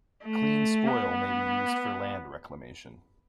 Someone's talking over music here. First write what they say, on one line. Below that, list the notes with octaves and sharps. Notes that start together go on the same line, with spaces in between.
Clean spoil may be used for land reclamation.
A3
B3